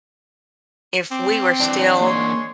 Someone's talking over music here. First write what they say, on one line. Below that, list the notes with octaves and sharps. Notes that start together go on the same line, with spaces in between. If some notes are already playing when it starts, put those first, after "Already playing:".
if we were still
C4 D6
E3 D4
G#3 A#3 C#5 C6